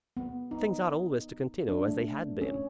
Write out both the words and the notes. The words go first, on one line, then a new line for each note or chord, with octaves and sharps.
Things ought always to continue as they had been.
B3
D#4
D4
A3
C#4